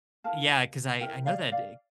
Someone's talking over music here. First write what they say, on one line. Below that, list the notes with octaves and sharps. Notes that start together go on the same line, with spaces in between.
Yeah, 'cause I I know that they
E4 A#4 F5 A5
E4 A#4 E5 G5
D5 F5
D5 F5